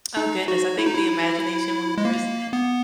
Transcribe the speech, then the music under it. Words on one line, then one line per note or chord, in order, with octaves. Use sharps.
oh, goodness, I think the Imagination Movers.
D#4
F#4
E4
D#4
E4
G#3
A#3
B3